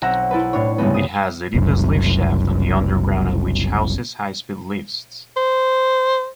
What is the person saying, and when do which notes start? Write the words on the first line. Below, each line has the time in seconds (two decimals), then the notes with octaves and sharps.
It has the deepest lift shaft on the Underground at which houses high-speed lifts.
0.02 B1 C4 E5 F#5 A#5
0.31 E4 A4 B4
0.53 A2 D4 D#4 C#5
0.78 C2 G2 C#3 G#3 A3 B3
0.94 D#6
1.54 F#1 C2 F#2
5.36 C5